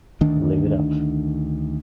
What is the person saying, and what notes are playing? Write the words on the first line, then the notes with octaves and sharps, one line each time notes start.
Live It Up!
D2 D#3 D4